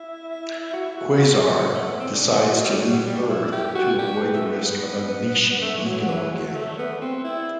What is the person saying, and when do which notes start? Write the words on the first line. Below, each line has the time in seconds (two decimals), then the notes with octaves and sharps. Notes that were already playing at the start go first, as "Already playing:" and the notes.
Quasar decides to leave Earth to avoid the risk of unleashing Ego again.
Already playing: E4
0.73 F#4
0.86 E4
0.98 F#4
1.75 A3
1.88 B3
2.00 C4
2.13 D4
2.30 B3
2.48 F#3
2.65 G3
2.82 F#3
3.06 G3
3.22 D4
3.29 E4
3.52 G4
3.75 F#4
3.99 G4
4.22 B3
4.34 A3
4.45 B3
5.62 A3
5.78 E3
5.85 F#3
6.08 E3
6.32 F#3
6.55 A3
6.78 B3
7.01 C4
7.24 E4